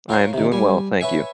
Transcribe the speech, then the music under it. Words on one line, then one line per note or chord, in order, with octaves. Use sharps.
I am doing well, thank you.
F4 A#4 C#5 C6
C3 D#3
G3 G#5
B4 C#5 E5 F#5 G#5